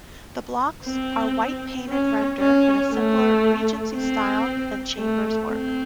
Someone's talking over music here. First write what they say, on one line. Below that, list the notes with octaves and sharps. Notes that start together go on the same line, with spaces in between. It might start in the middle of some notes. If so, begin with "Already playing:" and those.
The blocks are white painted render in a simpler Regency style than Chambers' work.
C4
C#4
C#4
A3
C4
A3
C4